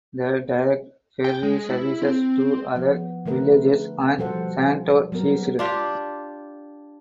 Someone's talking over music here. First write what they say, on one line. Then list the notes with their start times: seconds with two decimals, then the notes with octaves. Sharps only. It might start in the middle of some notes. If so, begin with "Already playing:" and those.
The direct ferry services to other villages on Sandoy ceased.
1.24 G5
1.43 G#3
1.69 E4
2.02 C4
2.76 F3 B3
3.26 D3 A3 A#4 B4
4.18 B2 F3 G3 A4 C5 F#5
5.12 F#3 G3 B3 A#4
5.59 D4 F4 G4